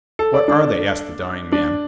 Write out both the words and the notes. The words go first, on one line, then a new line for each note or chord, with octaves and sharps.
"What are they?" asked the dying man.
A4
D5
D4
D4